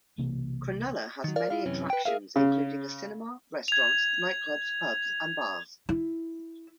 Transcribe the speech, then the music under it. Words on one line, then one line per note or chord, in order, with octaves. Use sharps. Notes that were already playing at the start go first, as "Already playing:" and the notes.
Cronulla has many attractions including a cinema, restaurants, nightclubs, pubs and bars.
B1 C3 E3 A#3
D#3 F#3
A#4 D5 F5
E4 F4 F5
F#2 C3 E3 C#4
B4 G5
G#4 A#4 E5 F5
C#3
G#6 F7
E4